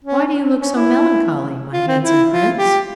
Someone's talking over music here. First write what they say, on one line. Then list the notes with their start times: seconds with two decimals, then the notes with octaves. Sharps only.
'Why do you look so melancholy, my handsome Prince?'
0.04 C#4
0.61 C#4
0.75 E4
1.73 F4
1.88 C4
2.02 E4
2.30 F4
2.58 G4